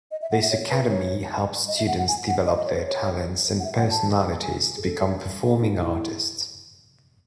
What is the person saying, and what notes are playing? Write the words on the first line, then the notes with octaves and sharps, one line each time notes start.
This academy helps students develop their talents and personalities to become performing artist.
D#5
E5
F#5
E5
C#5
B4
C#5
D#5
E5
F#5
F#5
G#5
F#5
D#5
D#5
C#5
B4
C#5
F#5
E5
F#5
A5
G#5
G#4
A4
D#4
E4